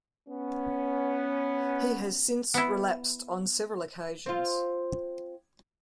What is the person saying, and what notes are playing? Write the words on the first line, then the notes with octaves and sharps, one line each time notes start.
He has since relapsed on several occasions.
B3 C#4
B3 E4
C4 F4